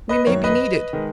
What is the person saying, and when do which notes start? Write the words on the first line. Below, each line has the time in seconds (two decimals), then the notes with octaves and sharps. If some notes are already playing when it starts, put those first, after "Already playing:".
"We may be needed."
0.09 B4 D#5
0.27 F#2 D#3 F#3 C#5
0.44 B4 D#5
0.93 D#3 G#3